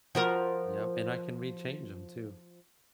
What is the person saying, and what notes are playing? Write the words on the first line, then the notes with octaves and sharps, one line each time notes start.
Yep, and I can rechange ‘em too.
F3 F#4 A#4